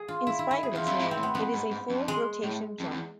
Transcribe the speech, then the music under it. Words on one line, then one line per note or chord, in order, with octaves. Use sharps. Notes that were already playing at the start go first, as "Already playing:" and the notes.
In spite of its name, it is a full rotation jump.
Already playing: G#4
F4
E4
E4
E4
G#4
E2 F4
F2 E4
G#2
C4
A2
B3
F2 B3
G#2
G#2
F2
G#3
A2
F2
E2